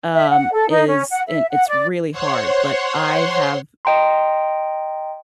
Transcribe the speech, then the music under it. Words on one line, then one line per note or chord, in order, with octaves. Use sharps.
um, is and it's really hard. But I have
E5
F#5
A4
D#4
C#4
F#5
E5
F#5
D5
C5 C#5 F#5 C6
D#5 G5 A#5 C6